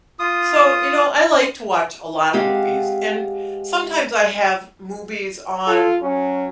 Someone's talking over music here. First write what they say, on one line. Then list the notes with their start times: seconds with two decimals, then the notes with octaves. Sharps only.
So, you know, I like to watch a lot of movies, and sometimes I have movies on
0.19 F4 D#6
2.33 G#3 C4 G4 G#4 F5 F#5
5.67 F4 A4
6.02 F#3 C#4